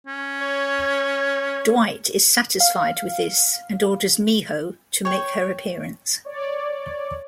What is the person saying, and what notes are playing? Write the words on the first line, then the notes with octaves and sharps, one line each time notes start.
Dwight is satisfied with this and orders Miho to make her appearance.
C#4
C#5
F5
C#5 G5
C#5 D5